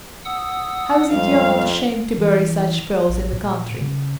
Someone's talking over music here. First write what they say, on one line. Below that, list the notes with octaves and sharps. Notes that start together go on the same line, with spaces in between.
"How is it you're not ashamed to bury such pearls in the country?"
F#5 D#6 E6
F2 G3 G#3 F5
E3
A1
A#2
C#3